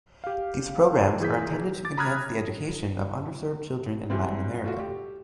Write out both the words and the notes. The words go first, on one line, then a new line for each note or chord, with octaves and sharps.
These programs are intended to enhance the education of underserved children in Latin America.
G4 F5
E3 G#4 G6 B6
D6 A6
A#5 B5 D#6 F6 F#6 G#6
G#2 E3 F#3 G3 C4
A3 F4 F#4
G4